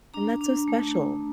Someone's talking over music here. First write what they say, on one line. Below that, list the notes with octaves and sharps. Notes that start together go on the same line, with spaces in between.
and that's so special.
D4 A#5
D4
A3
A3